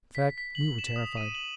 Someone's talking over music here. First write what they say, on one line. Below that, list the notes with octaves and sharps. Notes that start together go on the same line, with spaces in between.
In fact, we were terrified.
B6
B6
F#7
E7
D#6
D#7
F#7